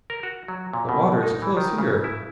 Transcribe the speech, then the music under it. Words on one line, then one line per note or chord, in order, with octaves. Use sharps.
The water is close here.
A#4
F#4
F#3
A#2
B2
D#4
E3
D#3
C#3
E4